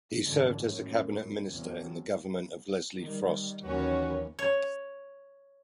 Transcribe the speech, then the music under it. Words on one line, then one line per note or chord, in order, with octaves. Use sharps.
He served as a cabinet minister in the government of Leslie Frost.
G#1 F#2 D3 E3 F3 G#3
F#2 A2
E2 C3 F3 F#3
D#3 G3
D#2 D#3 E3 F#3 C#4 F#4 B4 C#5
C#5